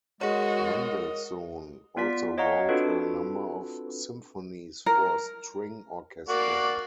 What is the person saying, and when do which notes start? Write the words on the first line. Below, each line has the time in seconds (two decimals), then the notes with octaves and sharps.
Mendelssohn also wrote a number of symphonies for string orchestra.
0.21 G#3 F#4 G#4 A#4 C#5 D#5
1.97 B3 F4 D5 B6
2.38 C#5 D#5 F5 F#5 A#5 C#6
2.69 C4 D4 F4 F#4 A4 B4
4.86 A#4
6.29 A#3 F#4 D5